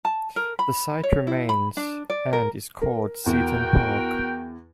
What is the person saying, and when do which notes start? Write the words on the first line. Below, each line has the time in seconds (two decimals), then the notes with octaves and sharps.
The site remains and is called Seaton Park.
0.05 A5
0.36 A#4
0.59 B5
1.03 C#5
1.27 E4
1.49 B5
1.77 D4
2.10 D5
2.33 A#4
2.82 A#4
3.26 E2 F#4 A#4 G5